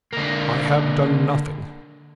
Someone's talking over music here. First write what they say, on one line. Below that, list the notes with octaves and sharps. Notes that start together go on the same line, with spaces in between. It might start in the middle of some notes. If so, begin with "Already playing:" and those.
I have done nothing.
D3 A#3